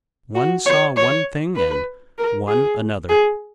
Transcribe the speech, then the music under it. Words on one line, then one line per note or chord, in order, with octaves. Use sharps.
One saw one thing, and one another.
F#4
C#5
C#5
B4
A#4
G#4
G#4